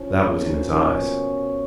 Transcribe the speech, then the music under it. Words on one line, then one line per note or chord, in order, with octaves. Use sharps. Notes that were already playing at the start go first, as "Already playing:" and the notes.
That was in his eyes.
Already playing: F3 C#4
A#3
F3
C#4
B2